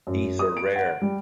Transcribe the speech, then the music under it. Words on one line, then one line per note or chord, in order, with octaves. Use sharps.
These are rare.
F#2
D#6
D7
F#5
G3